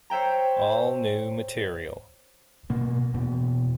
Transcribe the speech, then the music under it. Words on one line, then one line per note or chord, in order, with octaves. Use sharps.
All new material.
C5 C#5 E5 G5 A#5
B2 A#3
E1 B2